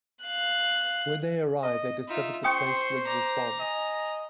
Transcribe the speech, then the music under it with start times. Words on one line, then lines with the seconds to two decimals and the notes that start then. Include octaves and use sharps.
When they arrive, they discovered the place rigged with bombs.
0.24 F5 F#6
1.63 D#5
2.09 D#4 F4 E5
2.44 C#4 C5 G5 C6 C#6 D#6
3.07 A#5 D6
3.60 D#5 G#5